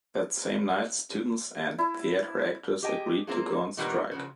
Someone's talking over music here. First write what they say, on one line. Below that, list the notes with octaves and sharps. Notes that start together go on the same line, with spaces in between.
That same night, students and theater actors agreed to go on strike.
E4
G4 G#4 D#5 G5 G#5
A#3 C4 E4 F4 G#4
A#2 D#3 F#3 G3 A#3 B3
C#3 F3 F#3